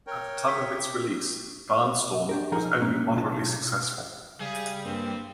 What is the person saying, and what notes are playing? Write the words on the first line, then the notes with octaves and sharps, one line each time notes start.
At the time of its release, "Barnstorm" was only moderately successful.
A#4 C#5 G5
D#6 E6 B6
C#6 D6
D4 G4 A#4
B1 F3 D#4 G#4 A#4 F#5
A#2 A#3 C#4
B1 B2 C#4 F4 A5
C#3 G3 G#4
G2 A#3 C4